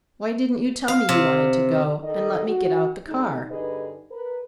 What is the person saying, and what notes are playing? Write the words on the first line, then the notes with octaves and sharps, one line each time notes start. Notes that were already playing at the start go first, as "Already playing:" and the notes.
"Why didn't you tell me you wanted to go, and let me get out the car?"
F5
C3
D#3 A4 D#5
F#4
C#3 G3 A3 D#4
G2 D3 D#4 G#4 B4 D#5
A#4 B4